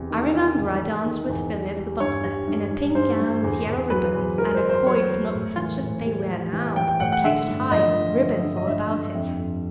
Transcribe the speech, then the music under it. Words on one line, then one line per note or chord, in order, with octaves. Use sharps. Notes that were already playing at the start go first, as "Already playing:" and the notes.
I remember I danced with Philip, the butler, in a pink gown, with yellow ribbons, and a coif, not such as they wear now, but plaited high, with ribbons all about it.
Already playing: E2 C3
D#3
D#3
E2
E2
D#3
E2
G3
G3
G2 C#5
G3
G2
G2
G2 C5
G2
E2
E2
F#3 B4
E2
E2 A#4
C5
E2
C5
F#3 C#5
E2
A2
E3
A2
G3
G3
E3
E3 G5
G5
A2 F#5
F#5
D3 E5
G2
F3 D#5
F3
D3
G2
D#5
G2 E5
G2
F2 E5
F2